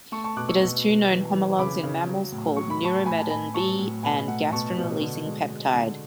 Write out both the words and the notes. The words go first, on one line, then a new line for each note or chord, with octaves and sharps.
It has two known homologs in mammals called neuromedin B and gastrin-releasing peptide.
A3 A5 C#6
A5 C#6
B2 D6 F#6
C#6 E6
B2
B2
E3
E3
C#3 B5 D6
C#3
F#3
A2
F#3 C#6
B5
F#3 A5 C#6
A2 G#5 B5
A5
A2 G#5 B5
F#3 A5 C#6
A2
B2 G#5 B5
A3 F#5
B2 A5 C#6
B2
D3
G#3
G#3
D3